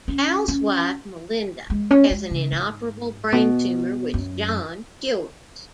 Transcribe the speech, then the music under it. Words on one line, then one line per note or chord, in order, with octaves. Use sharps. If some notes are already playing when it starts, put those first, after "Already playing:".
Hal's wife Melinda has an inoperable brain tumor, which John cures.
C#4
C#4
G#3
C#4
G#3
C#3
G#2
B2
F#2